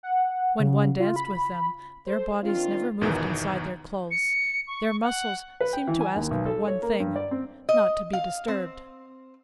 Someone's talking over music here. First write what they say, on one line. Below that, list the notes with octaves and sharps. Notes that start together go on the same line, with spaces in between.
When one danced with them their bodies never moved inside their clothes; their muscles seemed to ask but one thing--not to be disturbed.
F#5
C#3
F4
B5
A4 C5
D#3 C4 D4 F4
G1 E2 B2 D#3 E3
C#7
C#6
F#5
B4
G5
E3
G#5
D#2
B1
A4
C#5
A#3
G2
D5
C4
D#5
F5
C4